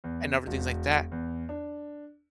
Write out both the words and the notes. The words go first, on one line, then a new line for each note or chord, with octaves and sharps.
and other things like that?
E2
E1
E2
D4